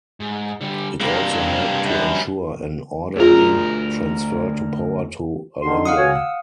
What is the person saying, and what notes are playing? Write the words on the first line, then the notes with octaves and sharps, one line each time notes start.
It also helped to ensure an orderly transfer of power to Allende.
G#2
D3 G3
C3 G3 A#3 D4
F#2
D2 F4 G#4 A#4
D3 D#3 C6
F5 F#5 D#6
F#4 C#5 G#5
E6